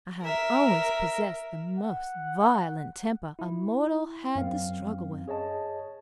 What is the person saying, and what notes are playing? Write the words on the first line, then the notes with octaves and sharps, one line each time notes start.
I have always possessed the most violent temper a mortal had to struggle with.
A#4 E5
F#5
E4
F#2 C4 F5
G#4 C#5 D#5 A5